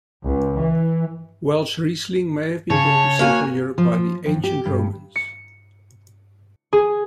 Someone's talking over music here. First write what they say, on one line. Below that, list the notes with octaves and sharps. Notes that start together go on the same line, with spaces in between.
Welschriesling may have been brought to Central Europe by the ancient Romans.
C#2
E3
C#3 C#5 A5
A#3 F#4 G#5
F3
F2
G4
G2
C#7
G#4